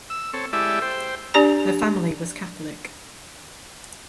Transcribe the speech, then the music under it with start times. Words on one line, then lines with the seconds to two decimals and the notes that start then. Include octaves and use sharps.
Her family was Catholic.
0.10 E6
0.33 C4 A4 C#5
0.53 G#3 E4 G4 A4 D5 E5
0.82 C5 G5
1.34 D4 G4 D5 A#5